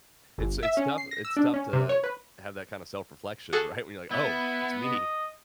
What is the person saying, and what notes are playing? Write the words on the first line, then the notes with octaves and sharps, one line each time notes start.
It's a it's tough it's tough to have that kinda self-reflection, right, when you're like, "Oh, it's me."
G1
E5
C#4
C7
A#6
E6
D4
C#4
C3
C#5
B4
F#4 G#4 A4
B3 E4
D#5